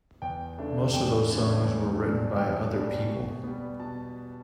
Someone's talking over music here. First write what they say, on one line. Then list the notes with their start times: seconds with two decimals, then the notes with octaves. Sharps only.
Most of those songs were written by other people.
0.22 E2 G5
0.58 C#3 E3 A3 D4
0.93 E2 G5
1.30 C#3 E3 A3 D4
1.65 E2
2.01 B2 G3 D4
2.37 E2 G5
2.72 B2 G3 D4
3.08 B2
3.44 G3 B3
3.80 B2 A5